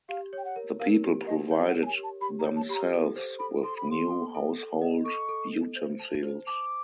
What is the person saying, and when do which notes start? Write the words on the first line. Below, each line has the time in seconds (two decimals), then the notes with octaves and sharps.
The people provided themselves with new household utensils.
0.09 G4 F5
0.33 C#5
0.38 G5
0.45 F#5
0.56 A#4
0.80 A#4 F5
1.04 G4
1.27 G4 D#5
1.51 C#5 E5
1.68 F#5
1.74 A#4
1.82 A5
1.86 G#5
1.98 G4
2.04 A5
2.21 G4 B5
2.39 A#5
2.45 C#5
2.56 A5
2.69 G4 B5
2.75 A#5
2.92 A4
3.16 C5
3.39 A4 B5
3.63 A4 C6
3.77 B5
3.87 A4 C6
4.11 A4
4.35 A4
4.58 A4
4.81 D#5
5.05 A4 C#6
5.29 A4
5.52 A4
5.76 C5
6.00 A5
6.23 C5
6.47 A5 D6